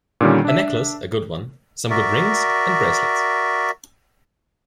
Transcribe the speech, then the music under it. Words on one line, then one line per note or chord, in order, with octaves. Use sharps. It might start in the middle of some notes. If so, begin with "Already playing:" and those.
A necklace — a good one — some good rings, and bracelets.
A#2 D3 D#3 G3 C#4
D4 E5
F#4 A#4 D5 E5